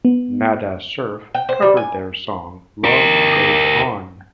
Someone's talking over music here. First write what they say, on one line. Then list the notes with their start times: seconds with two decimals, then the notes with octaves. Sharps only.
Nada Surf covered their song Love Goes On!
0.05 B3
1.35 G5
1.49 C5
1.62 G3
1.77 G#5
2.84 G4 A#4